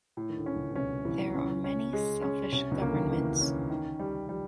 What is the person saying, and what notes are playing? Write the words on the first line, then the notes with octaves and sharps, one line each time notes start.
There are many selfish governments.
A2
D#3
D2 D3
C#4
C#2 C#3
B2
C2 C3 C#4
B2
C2 C3 E3
C#2 C#3 C#4
C#4
G#3
C#4
C2 C3 C#4
C#2 C#3
D3 A#3
D#2 D#3
E2 E3 A#3
C#4
D#3
G3
F3 G3